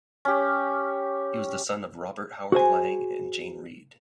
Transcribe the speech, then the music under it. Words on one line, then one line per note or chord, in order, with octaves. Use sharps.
He was the son of Robert Howard Lang and Jane Reid.
C#4 G4
F#4 G#4 C5 G#5